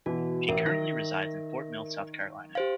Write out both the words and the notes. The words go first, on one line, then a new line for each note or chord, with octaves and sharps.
She currently resides in Fort Mill, South Carolina.
B2 E3 F#4
A1 A#4 E5
D#3 A#6
G4 C5 F5